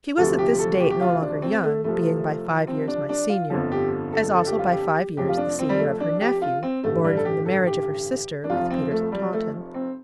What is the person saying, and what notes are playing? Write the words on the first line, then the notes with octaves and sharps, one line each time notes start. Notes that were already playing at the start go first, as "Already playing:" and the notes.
She was at this date no longer young, being by five years my senior, as also, by five years, the senior of her nephew, born from the marriage of her sister with Peters of Taunton.
D2 C3 F3 A4
G4
A4
G4
G4
F4
D4
C4
A3
C2 C3 F3 A3
C4
D4
D4
F4
G1 F2 D3 F3
G4
A4
A4
G4
F4
G4
F1 F2 F3 G4
F4
D4
C4
G3
A3
D4
G4
F4
C4
A1 G2 D3 A3
G3
A4
G4
A4
G4
D4
F1 F2 F3 F4
C4
A3
G3
A3
C4